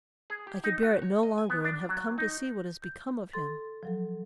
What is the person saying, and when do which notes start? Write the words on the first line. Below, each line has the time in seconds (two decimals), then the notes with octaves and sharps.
I could bear it no longer and have come to see what has become of him.
0.30 G#4
0.47 G4
0.64 D#4
0.83 F#4
1.02 C#5
1.23 D#5
1.38 G#5
1.50 B3
1.65 D4
1.89 F#3
2.18 D#4
2.82 G6
3.33 A4 C6 A6
3.83 F3 F#3 A4